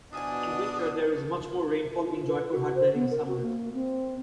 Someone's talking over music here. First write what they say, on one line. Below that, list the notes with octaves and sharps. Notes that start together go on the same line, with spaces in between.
In Winter there is much more rainfall in "Joypurhat" than in Summer.
B2 F3 D4 E4 G#5 D#6
A3
F4
B4
F#4
C5
B3
A#4
F#4
A#3
C4